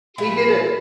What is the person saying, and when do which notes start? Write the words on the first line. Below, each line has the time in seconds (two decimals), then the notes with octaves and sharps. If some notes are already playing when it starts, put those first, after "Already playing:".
He did it.
0.18 A#2 E4 F4 B5